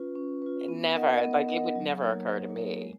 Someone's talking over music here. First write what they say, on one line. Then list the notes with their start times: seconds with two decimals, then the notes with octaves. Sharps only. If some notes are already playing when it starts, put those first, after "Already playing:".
Eh, never. Like, it would never occur to me.
Already playing: C#4 F4 B4
0.15 C#4
0.42 F4 B4
0.68 B3
0.95 D#4 A#4 D#5 F#5
1.22 B3
1.48 D#4 A#4 D#5 F#5
1.75 F#3
2.02 A#3 D#4 A#4 C#5
2.29 F#3
2.55 A#3 D#4 A#4 C#5
2.82 G#3